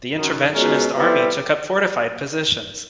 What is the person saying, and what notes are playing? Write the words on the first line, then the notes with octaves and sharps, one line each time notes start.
The interventionist army took up fortified positions.
F#2 D#3 F#3
B2 G#3 C#4 F4 A#4
G3 B3 E4 A4 C5